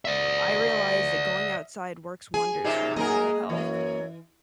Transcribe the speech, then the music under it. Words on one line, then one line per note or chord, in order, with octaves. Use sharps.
I realized that going outside works wonders for my mental health.
D5 E5
G#4 G#5
A#2 D#4 G4 G#4 C5 E5
F#2 A#3 D#4 G#4 A#4 D#5
F#2 E3 C#5